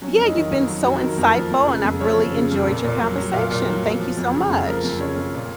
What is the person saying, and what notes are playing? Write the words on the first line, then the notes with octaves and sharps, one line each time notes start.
Yeah, you've been so insightful, and I've really enjoyed your conversation. Thank you so much.
F#3 C#4
F2
D#4
D#3
D#4
F2
F#3
F2 F#4
D#3 A#4
F2 A#4
F3
F2
C#3
F2
F3 C#5
F2
C#3
F2
A#2
A#2
F#3
F#3
A#2 F5
A#2
F#3
F#3
F3
F2
C#3
F2
F3 A#4
F2
C#3 C#5
F2
A#2